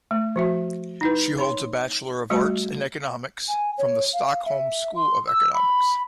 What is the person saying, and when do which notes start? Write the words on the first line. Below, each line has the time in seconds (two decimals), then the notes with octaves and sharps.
She holds a Bachelor of Arts in economics from the Stockholm School of Economics.
0.11 A3
0.36 F3 F#4 E5
1.01 D#4 E4 B4
1.38 C#5 B5 C6
2.30 G3 A3 F#4
3.48 G#5
3.78 C#5
4.14 F5
4.46 E5
4.96 C6
5.27 E6
5.54 B5